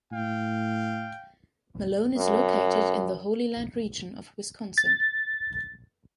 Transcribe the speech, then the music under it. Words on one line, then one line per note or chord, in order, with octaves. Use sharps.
Malone is located in The Holyland region of Wisconsin.
A2 F5 G5
F#2
A6